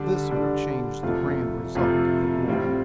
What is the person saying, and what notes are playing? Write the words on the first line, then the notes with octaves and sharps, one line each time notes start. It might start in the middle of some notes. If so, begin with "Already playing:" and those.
This would have changed the grand result of the war.
Already playing: D3 G3 D4 A4
D3 G3 D4 A4
F2 C3 A3 F4
F2 C3 A3 F4
A2 G3 C4 F4